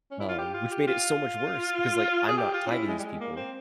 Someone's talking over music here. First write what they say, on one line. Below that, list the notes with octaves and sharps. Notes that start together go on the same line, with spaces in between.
um, which made it so much worse because, like, I'm not tied to these people
C#4
E4
F4
G4
F4
G4
F4
G#4
G4
F4
C#4
E4
G#3
G3
G#3
A#3
C4